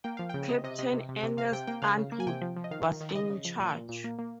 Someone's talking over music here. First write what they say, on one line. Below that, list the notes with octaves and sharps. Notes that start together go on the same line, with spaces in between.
Captain Ernest Atwood was in charge.
A#3 G5
F3 F5
C#3 G5
C3 D#5
C3 D#5
C3 D#5
C3
C3
C3
C3 F5
C3 G5
A#3 G5
C#3 F5
C#3
A#3
G#5
C3 G5
F3
F3
D#5
D#3 F5
D#3
D#3
C#3 D#5
C#3
F3
A#2
A#2
A#2
A#3
A#3